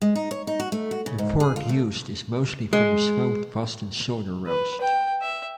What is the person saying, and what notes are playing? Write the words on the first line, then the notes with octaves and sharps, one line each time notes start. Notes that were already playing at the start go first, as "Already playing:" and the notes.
The pork used is mostly from a smoked Boston shoulder roast.
G#3
D#4
C#5
D#4
F#4
A3
F#4
C#3
G#2
G#4
F4
A3
G#3
B4
G5
E5